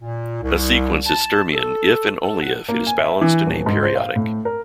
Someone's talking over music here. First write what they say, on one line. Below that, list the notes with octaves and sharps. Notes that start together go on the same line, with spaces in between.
A sequence is Sturmian if and only if it is balanced and aperiodic.
A#2
C2
A5
A4
A4
F#5
A#3
G#5
E5
E3
D#1
G#2
C5
F5
A2
A#4